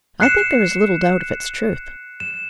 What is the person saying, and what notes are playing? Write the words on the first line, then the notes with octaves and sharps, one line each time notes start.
I think there is little doubt of its truth.
F#6 C7 C#7 E7
E7